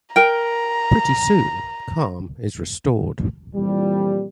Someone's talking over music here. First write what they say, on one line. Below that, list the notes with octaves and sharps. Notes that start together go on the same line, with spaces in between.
Pretty soon, calm is restored.
A#4 G5 A#5
F2 A#2 E3 F3 G3